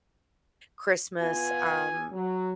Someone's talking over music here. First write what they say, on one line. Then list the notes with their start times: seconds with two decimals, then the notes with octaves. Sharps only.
Christmas, um,
1.22 B3 F4 G#5
2.13 F#3